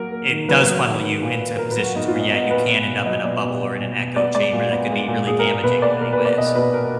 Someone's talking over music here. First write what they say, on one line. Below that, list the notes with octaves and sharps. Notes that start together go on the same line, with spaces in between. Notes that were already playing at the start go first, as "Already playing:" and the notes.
i it does funnel you into positions where, yeah, you can end up in a bubble or in an echo chamber that could be really damaging in many ways.
Already playing: F#3 A#3 A#4
A#3
D#3
F#3 B4
F#3
D#3
D#3
A#2
A#2
A#2 A#4
B4
F#3
F#4
B3 D#4
F4
A#2
D#5
B3 D#5
A#2 B4
B3
B2
F#3 D#5
B2 D5
B2
B2
B2
B2
B3 D5
G#3 D5
A#2
B3
G#3
A#2
A#2 G#4
A#4
A#2
B2 B4
A#3 D5
B2 A#4
B4
A#3
D5
B2 D#5
B2 B4
A#3 A#4